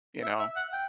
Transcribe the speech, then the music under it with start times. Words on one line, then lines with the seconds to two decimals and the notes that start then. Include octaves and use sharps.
You know?
0.23 E5
0.40 E5
0.56 F#5
0.73 G5